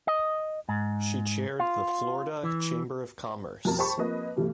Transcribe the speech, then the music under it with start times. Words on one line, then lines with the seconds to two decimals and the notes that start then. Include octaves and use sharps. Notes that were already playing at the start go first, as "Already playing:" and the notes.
She chaired the Florida Chamber of Commerce.
0.07 D#5
0.69 G#2
1.60 F4
2.43 E3
3.65 F2 B2 A#4 A5
3.78 G4 C5 G5 A5 B5 C#6
3.97 F3 A#3 C4 B4 D#5
4.36 G2 B2 E3 G3 A3